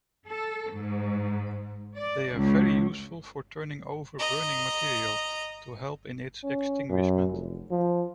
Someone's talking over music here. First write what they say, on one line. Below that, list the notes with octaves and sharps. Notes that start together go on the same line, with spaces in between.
They are very useful for turning over burning material, to help in its extinguishment.
A4
G#2
D5
C#2
D#5 A#5
C#4
F#2
F1
F3